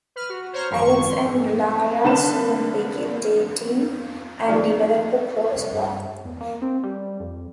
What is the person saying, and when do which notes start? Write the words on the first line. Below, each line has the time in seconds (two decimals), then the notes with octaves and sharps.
Alex and Lara soon begin dating and develop a close bond.
0.16 B4 F6
0.29 F#4
0.53 C5 C#5 A#5 F6
0.70 G#1 F#2 F3 C#6
1.09 C6
1.25 G#2
2.04 C2 D3 B4 A5 E7
4.46 D#3 F3 G3 A3 A#3 D4
5.56 C2
5.73 G2
6.25 E2
6.41 A#3
6.62 C4
6.84 G3
7.20 F2